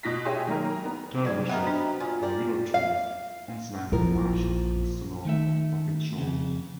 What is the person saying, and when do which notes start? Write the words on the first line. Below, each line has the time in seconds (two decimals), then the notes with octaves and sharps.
Tule rushes and willow trees once lined the marshes and sloughs of its shores.
0.03 B2 F4 A#6 B6
0.25 G4 G#4 C#5 E5 G#5 C6
0.47 D#3 F#3 A#3 A#4
0.70 A#5
0.85 B3
1.25 C#3 F#3 G3 C5
1.49 B3 D#4 F#4 A#4 C5 E5 F#5 G5
1.67 D4
2.00 A#2 F4 G#4
2.22 G4 A#4 D5
2.74 F5
3.92 A#1 F3 E4 A#4
5.25 D#3 A3 E5
6.18 F2 C#3